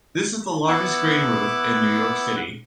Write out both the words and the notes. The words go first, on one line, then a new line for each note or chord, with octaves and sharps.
This is the largest green roof in New York City.
B3 E4 D6 E6 F#6